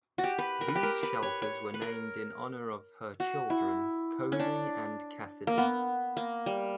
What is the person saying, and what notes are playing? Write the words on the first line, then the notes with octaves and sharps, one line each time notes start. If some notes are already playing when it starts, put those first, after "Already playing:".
These shelters were named in honor of her children, Cody and Cassidy.
F#4
G4
B4
A#4
B4
G4
A#4
B4
C#5
C#5
B4
A#4
F#4
E4
C#4
D4
A#3
B3
A#3
G3